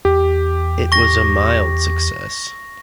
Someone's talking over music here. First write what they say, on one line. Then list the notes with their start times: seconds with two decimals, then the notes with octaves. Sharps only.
It was a mild success.
0.05 E2 G4
0.92 C#6 A#6